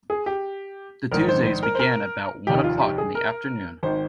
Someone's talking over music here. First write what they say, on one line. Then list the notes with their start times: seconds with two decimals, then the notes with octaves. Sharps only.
The Tuesdays began about one o'clock in the afternoon.
0.10 G#4
0.26 G4
1.11 A#1 G#2 D#3 A#4
1.29 C5
1.46 C5
1.63 A#4
1.75 C5
1.79 A#4
2.47 F1 D#2 D#3 G4
2.64 F4
2.81 G4
2.98 G#4
3.15 A#4
3.83 G#1 D#3 C5